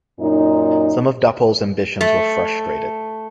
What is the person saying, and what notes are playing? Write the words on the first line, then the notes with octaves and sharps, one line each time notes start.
Some of Dapol's ambitions were frustrated.
F#2 A#2 D#4
A3